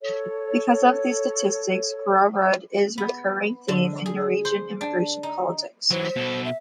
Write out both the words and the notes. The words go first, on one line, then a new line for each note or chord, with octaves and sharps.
Because of these statistics Grorud is a recurring theme in Norwegian immigration politics.
A4 C#5
B3
D3
G#4
C5
D4
D#4
E3 F#3 C5
B2 A4
E5